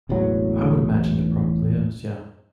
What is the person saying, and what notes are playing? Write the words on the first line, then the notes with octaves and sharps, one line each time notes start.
I would imagine there probably is, yeah.
E1 A1 E2 F#3